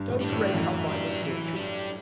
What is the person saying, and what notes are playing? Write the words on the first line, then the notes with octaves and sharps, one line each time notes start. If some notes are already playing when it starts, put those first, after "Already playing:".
"Don't rake up my misfortunes."
Already playing: G2
A2
G3 D4
A2
F#2 E3
G3 D4
E3
G3 D4